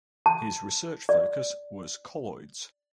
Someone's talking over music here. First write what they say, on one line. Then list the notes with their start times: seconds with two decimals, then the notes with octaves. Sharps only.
His research focus was colloids.
0.26 A5
1.09 D5